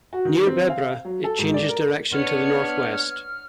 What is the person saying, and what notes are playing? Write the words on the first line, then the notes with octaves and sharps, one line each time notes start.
Near Bebra it changes direction to the northwest.
F#4
D#3
C4
F5
F#3
A4
G#2
D5
A#4
B3 D4 C#5 F6